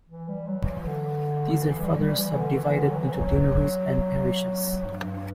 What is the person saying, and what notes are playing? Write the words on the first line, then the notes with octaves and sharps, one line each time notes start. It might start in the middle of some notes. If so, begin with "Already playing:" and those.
These are further subdivided into deaneries and parishes.
E3
G3
F#3
E3
D3
E3
G3
G3
E3
D3
E3
D3
F#3
E3
E3
F#3
F#3
G2
G2